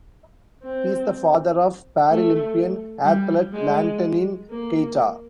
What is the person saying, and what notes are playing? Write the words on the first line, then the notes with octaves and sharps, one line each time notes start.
He is the father of Paralympian athlete Nantenin Keita.
C4
A3
G3
G#3
A#3